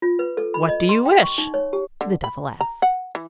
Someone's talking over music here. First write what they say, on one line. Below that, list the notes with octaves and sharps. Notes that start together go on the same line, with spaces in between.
"What do you wish?" the devil asked.
F4
B4
A4
B5
D#5
C6
G5
C#6
D#4
C#5
G4
D3
B5
A#5
F#5
E3